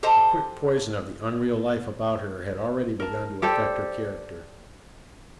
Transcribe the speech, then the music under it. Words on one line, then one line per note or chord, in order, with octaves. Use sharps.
The quick poison of the unreal life about her had already begun to affect her character.
G4 A4 C5 D#5 A5
A#4 A5
G4 A4 C5 D5